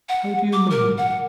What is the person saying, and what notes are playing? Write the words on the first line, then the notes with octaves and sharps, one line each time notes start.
"How do you mean?"
F#5
D6
A#4
F#5